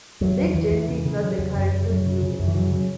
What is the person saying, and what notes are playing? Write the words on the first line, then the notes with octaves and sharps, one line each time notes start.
"Dirk Gently" is not the character's real name.
E2 F#3
E2 F#3
E2 E3
E2
C#3
C#3
C#3 F#3
E2
F#2
C#3
F#2 F#3
C#3
C#3
F#2
E3
C#3 F#3
C#3 F#3